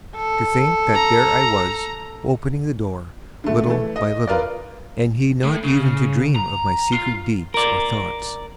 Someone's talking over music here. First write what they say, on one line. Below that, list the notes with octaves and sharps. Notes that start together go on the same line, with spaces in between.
To think that there I was, opening the door, little by little, and he not even to dream of my secret deeds or thoughts.
A4
A#5
D3 A3
E3 A3
D#5
F4 A#4 B4 D5
A2
C#3
A#5
F4
A#4 D5